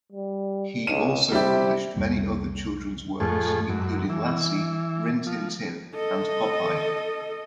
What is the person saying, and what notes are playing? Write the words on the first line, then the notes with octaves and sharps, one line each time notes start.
He also published many other children's works, including Lassie, Rin Tin Tin, and Popeye.
G3
C#2 D#7 E7
C3 G3 E4 G4
C2 F2 G3 A#3
F2 A2 A3 G#4
F#2
E3
F3
A4 D#5